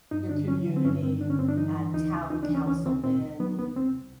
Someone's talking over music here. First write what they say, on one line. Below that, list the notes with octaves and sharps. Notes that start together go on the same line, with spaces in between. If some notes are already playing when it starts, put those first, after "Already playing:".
your community and town councilmen,
G2 D#4
D3 D4
F#3 C#4
D3
C4
G2 C#4
G2 C4
D3 D4
C#4
G2 C4
D4
E3 D#4
E3
D2 D#4
C#3
D2 D#4
D4
E3
C#4
D2 C#4
C#3 C4
A#2 C4
C2
F#3 B3
C2 B3
C2 C4
C2